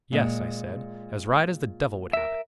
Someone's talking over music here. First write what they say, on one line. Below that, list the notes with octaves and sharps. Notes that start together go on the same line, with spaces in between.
"Yes," I said, "as right as the devil would have it."
A#2 G#3
A#4 E5